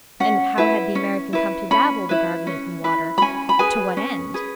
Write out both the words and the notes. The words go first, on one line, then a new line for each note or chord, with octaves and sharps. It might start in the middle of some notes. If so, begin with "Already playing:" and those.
And how had the American come to dabble the garment in water--to what end?
C#4 F#5
E4 B4
C#4
E4 B4
C#4 B5
E4 B4
C#4
E4 B4
B5
C#4 G#5
B5
G#4 B4 G#5
C#4
G#4 B4